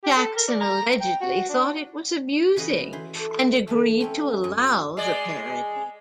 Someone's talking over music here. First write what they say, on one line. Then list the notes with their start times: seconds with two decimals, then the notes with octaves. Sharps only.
Jackson allegedly thought it was amusing, and agreed to allow the parody.
0.04 G4
0.17 A4
0.36 A#4
0.48 D5
0.61 A#5
1.00 G5
1.21 F#4
1.49 D4
2.56 C#3 E3 F#4 B4 D#5
2.93 E3 C5
3.15 A4
3.67 D3 E3 A3
4.00 A3 C4 C#4
4.44 F#2
4.97 G#3 D5